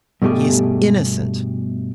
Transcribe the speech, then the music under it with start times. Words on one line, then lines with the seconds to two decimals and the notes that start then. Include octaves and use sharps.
"He is innocent."
0.22 G2 B2 A3 G4 G#4